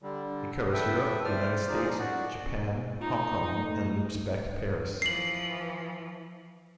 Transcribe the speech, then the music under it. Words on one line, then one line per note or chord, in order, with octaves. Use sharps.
It covers Europe, the United States, Japan, Hong Kong, and loops back to Paris.
D3 G3
E2 A4 B4 E5 G5
C5 D5 F6
D#2 A#2 F3 D#4 G#4 D5
F#2 F#4 D5 F#5
D#4 F4
A3
E3 F3 C7 F#7